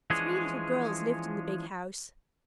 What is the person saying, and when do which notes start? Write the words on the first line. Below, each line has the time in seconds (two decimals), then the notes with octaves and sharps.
Three little girls lived in the big house.
0.10 E3 F3 G#3 C#4 D4 G#4